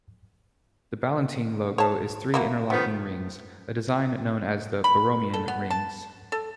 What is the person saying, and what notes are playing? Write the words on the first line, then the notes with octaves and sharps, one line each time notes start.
The Ballantine logo is three interlocking rings, a design known as the Borromean rings.
C#5 A5
F#3 A#3 E4
D3 D#3 F3 B3
B5
A4
B3
A5
A4